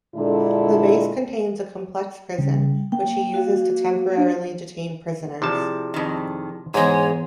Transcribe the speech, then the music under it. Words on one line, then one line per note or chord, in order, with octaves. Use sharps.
The base contains a complex prison, which he uses to temporarily detain prisoners.
A#2 D3 G#3 D4 E4 A4
C#3 G3
A#3 G5
F#4 F5
D4
C3 F3 E4 G#4 D5 A5
F2 D#3
E2 G#2 E3 G#3 B3 G#4 C#5